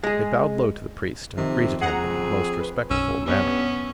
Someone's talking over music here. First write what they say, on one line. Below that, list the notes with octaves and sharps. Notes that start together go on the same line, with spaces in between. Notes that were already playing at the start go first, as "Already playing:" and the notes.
They bowed low to the priest, and greeted him in the most respectful manner.
G#3 G#4
F2 C3 D#3
G#4 F#5 A#5
B4
B1 F#2 C#4 E6
G2 B3 C#4